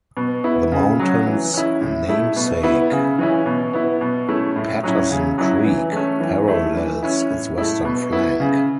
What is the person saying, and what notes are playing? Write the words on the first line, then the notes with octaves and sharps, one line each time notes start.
The mountain's namesake, Patterson Creek, parallels its western flank.
B2
B3 E4
C#3
F#3 C#4
E3
C#4 E4
A2
A3 E4
B2
B3 E4
C#3
E3 C#4 E4
B2
B3 E4
B2
A3 C#4 E4
A2
F#3 C#4 E4
C#3
F#3 C#4 E4
E3
A3 C#4
E3
A3 E4
E3
C#4 E4
A2
A3 E4
B2
B3 E4
C#3